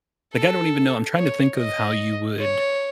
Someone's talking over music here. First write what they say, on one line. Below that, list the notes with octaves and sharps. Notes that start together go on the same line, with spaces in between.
Like, I don't even know. I'm trying to think of how you would
A4
C#5
D#5
C#5